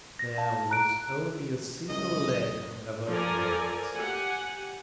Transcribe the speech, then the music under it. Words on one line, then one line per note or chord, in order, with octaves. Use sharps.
There was only a single leg, however, apparent.
A#6
F5 A5
A#5 F#6 D7
C#2 F#2 D#5
F3 A4 A#4 D5 G#5 A#5
G4 F#5 G#5